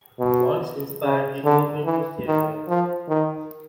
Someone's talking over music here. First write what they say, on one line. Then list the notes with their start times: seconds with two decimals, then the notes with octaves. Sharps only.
Once inspired, he dove into theatre.
0.19 B2
1.03 C#3
1.44 D3
1.85 E3
2.27 D#3
2.68 F3
3.09 D#3